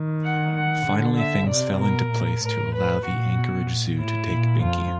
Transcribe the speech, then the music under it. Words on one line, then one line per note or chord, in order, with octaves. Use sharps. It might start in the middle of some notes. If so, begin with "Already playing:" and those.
Finally things fell into place to allow the Anchorage zoo to take Binky.
Already playing: D#3
F#5
F#5
D3
E5
C3 D5
B2 A#4
A#2
A2 A#4
B4
A#2 F#4
B2
A#2
A2 E4
A#2
F2 F4